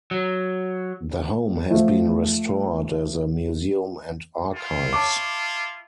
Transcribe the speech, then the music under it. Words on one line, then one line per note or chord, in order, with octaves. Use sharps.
The home has been restored as a museum and archives.
F#3
F3 A3
E4 F4
A5 C#6 D6